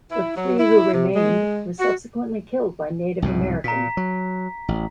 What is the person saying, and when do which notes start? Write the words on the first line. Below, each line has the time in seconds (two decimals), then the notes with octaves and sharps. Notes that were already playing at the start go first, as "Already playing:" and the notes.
The three who remained were subsequently killed by Native Americans.
0.11 E4
0.36 F#3
0.58 E4
0.93 C3
1.15 G#3
1.78 F#4
3.22 C2 G#2 B2
3.64 A#2 A#5 B6
3.97 F#3
4.68 A1